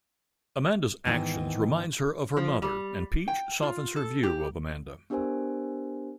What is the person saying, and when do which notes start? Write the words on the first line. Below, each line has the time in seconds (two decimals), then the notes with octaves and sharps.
Amanda's actions reminds her of her mother and Peach softens her view of Amanda.
1.05 G#2 D#3 E3 B3
2.37 F3
2.62 G3
3.28 G5
3.62 F4
3.96 A4
4.23 G4
5.10 B3 D4 G4 A#4 C5 G#5